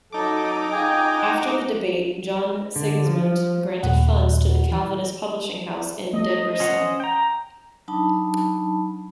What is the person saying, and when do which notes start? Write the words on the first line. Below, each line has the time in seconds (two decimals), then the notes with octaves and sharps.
After the debate John Sigismund granted funds to the Calvinist publishing house in Debrecen.
0.13 F#3 D#4 A4 D6
0.73 F4 G#4 G5
1.17 F#5
2.76 D3
3.06 F3
3.83 D#2 A#2 F#5
4.72 E3
6.13 G3 A3 D#5
6.60 C#4 C5 F#5
7.00 G5 A#5
7.88 F#3 D4 D#4 A5 B5